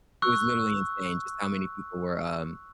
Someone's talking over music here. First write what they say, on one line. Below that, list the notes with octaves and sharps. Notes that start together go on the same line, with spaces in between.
it was literally insane just how many people were, um,
C#6 E6 F#6